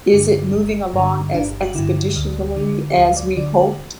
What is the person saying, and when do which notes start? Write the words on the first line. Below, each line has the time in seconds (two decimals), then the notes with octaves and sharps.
Is it moving along as expeditiously as we hoped?
0.13 G2 D3
0.54 G1
0.94 G2 D3
1.34 G1 D4
1.63 F#4
1.74 G2 D3 E4
2.16 D2
2.56 D3
2.91 G4
2.96 D2 F#4
3.17 D5
3.36 D3 D5
3.57 F#4